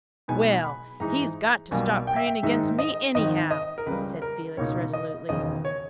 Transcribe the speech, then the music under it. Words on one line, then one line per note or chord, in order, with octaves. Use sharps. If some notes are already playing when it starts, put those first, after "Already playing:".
"Well, he's got to stop praying against me, anyhow," said Felix resolutely.
B1 B2 G#3 B3 D#4 G#5
B5
G#2 E3 G#3 D#4 A#5
B1 B2 G3 A#3 G#5
G5
E5
G5
G#2 D#3 G#3 D#4 E5
D#5
G#1 G#2 D#3 D#5
D#5
A#4
C#2 C#3 G3 B4
A#4
C#2 B2 A#3 D#4 C#5
D#5
E1 D#2 C#3 D#5
C#5